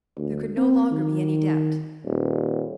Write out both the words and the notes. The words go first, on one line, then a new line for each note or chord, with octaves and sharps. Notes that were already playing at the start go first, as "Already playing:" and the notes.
There could no longer be any doubt.
D2
C4
D#3
D#1